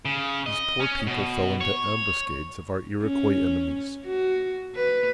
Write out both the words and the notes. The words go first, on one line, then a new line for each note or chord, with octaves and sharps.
These poor people fell into ambuscades of our Iroquois enemies.
C#3
D#5
C#4
B2
C#5
C#4
F#4
B4